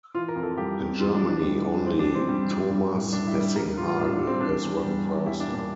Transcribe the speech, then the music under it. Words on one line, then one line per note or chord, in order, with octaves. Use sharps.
In Germany only Thomas Wessinghage has run faster.
E3 F4
A#4
F2
A4
G3 G4
F2
E3 F4
D4
F2
D4
G3
F2
E3 C4
D4
F2
C4
G3
F2
G3
A2
A2 D4
E4
G3
G3 A#4
A2 F4
F4
A2 D4
D4
G3
C4
E3 D4
E2
G3
E2
G3 E4
D4
A#2
D4